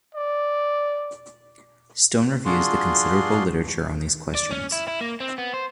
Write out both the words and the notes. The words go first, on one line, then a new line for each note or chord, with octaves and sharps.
Stone reviews the considerable literature on these questions.
D5
D4 F4 F#4 G#4 C6
D5
C#4
E4
E4
A#3
C4
B3
C5